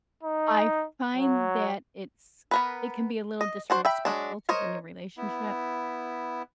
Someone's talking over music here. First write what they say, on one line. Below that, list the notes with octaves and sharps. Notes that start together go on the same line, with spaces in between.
I find that it's it can be a little disrespectful to the new relationship.
D#4
F#3
B3 A#4 B4
D#5
D4 F#4 C5
E5 G5 B5
F#3 G#3 D4
A#4 C5 C#5 D#5
B3 E4